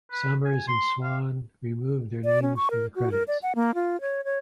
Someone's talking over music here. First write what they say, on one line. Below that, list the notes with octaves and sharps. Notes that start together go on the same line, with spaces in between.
Summers and Swan removed their names from the credits.
B4
G#5
C6
F5
D5
C#4
C#6
A#4
F#4
A#4
D5
F#5
A#3
F4
C#5
C#5